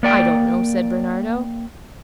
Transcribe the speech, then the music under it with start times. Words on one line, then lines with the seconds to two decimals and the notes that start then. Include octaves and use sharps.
"I don't know," said Bernardo.
0.03 A#3 D5 G5